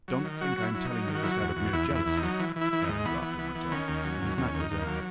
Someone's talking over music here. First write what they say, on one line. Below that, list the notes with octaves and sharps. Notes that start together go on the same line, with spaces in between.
"Don't think I am telling you this out of mere jealousy," Aaron Grafton went on, and his manner was earnest.
F#3
D#3
F#3 F#4
F#3
E4
F#3
D#4
F#3
D#3
F#4
F#3 E4
F#4
E2
E2
E2 E4
E2
E4
E2
D#4
F#3
E3
E3
E4
E3
D#4
G#2
E3 B3
E3
E3
E3
D#3 C#4
D#2
F#3
D#2
D#2 C#4
D#2
D#4
D#2
A#3
F#3